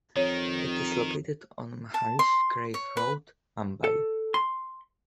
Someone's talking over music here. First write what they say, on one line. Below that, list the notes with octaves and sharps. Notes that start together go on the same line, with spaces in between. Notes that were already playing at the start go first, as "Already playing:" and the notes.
It is located on Maharishi Karve Road, Mumbai.
F2 D#3 C#5
A5
C6
C#5
B4
A4
C6